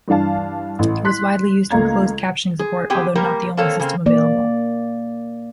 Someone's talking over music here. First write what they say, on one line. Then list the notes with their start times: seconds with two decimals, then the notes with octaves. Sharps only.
It was widely used for closed captioning support, although not the only system available.
0.08 G2 E3 D4 F5 A5
0.79 A1
1.05 C6 F#6 B6
1.70 C#2 A3 A#3 F5 A#5 G#6
2.59 G#4
2.90 B3 C4 G4 G#4 G5
3.15 G3 A#3 G4 A#4
3.57 A#3 C4 A4 C#5 F5 A5
3.80 C#3 A#3 C4
4.06 A#3 D5